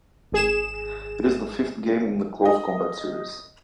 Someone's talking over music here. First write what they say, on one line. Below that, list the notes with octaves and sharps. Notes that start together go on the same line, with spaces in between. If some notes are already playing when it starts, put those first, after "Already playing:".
It is the fifth game in the "Close Combat" series.
G#1 G#4 E7
D#5